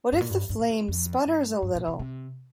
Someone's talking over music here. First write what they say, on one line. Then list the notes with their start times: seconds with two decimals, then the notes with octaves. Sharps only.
What if the flame sputters a little!
0.12 G2
0.21 A#2
0.30 G2
0.49 G2
0.59 A#2
0.70 G2
0.88 F2
1.25 G2
1.62 G2
1.75 A#2
1.88 C3
1.99 C3